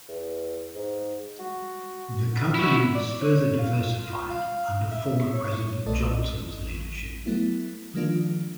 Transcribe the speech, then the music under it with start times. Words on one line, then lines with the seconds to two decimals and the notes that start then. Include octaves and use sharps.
The company was further diversified under former president Johnson's leadership.
0.08 E2
0.75 G#2
1.40 F#4
2.54 E4 F#4
2.95 D5
3.21 C#5
3.58 F5
3.98 F4
4.30 F5
4.91 E5
5.34 C#5
5.86 B1 A3 A4 D5 D#5
6.38 A1
7.26 F#3 A3 B3 E4
7.94 D#3 F3 G#3 A#3 D4 F4